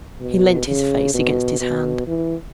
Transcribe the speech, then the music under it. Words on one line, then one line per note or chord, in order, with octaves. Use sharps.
He leant his face against his hand.
B2
C#3
B2
B2
E3